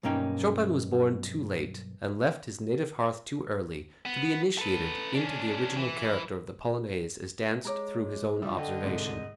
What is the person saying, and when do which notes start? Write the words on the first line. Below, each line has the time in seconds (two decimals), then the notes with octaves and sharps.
Chopin was born too late, and left his native hearth too early, to be initiated into the original character of the Polonaise as danced through his own observation.
0.03 B1 G2 A#3 C#4 D#4 G5
4.05 B3
4.58 A4 B4
5.14 C#4 D4
5.77 E3 E4
7.65 G#3 G4 C#5 A#5 D6
8.42 D3 G3 F4 E5
8.58 D3 A4 D#5 F#5 G5
8.83 C2 G#2